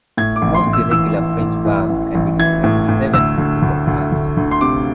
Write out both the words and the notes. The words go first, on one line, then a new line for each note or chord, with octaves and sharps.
Most irregular French verbs can be described with seven principal parts.
A2 G#6
D6
A1
C6
A2
E6
E3 E6
E3
A2
E3
A1
A1
E3 G#6
A2
A2
D2 E6
D2
D2
D2
D2
D2
C6
C3 D6